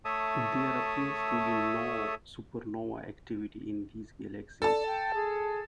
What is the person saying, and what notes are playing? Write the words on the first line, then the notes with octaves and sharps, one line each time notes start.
There appears to be no supernova activity in these galaxies.
A3 A4 C#5 E5 A5 D#6
A4 D5 A5
G5
G#4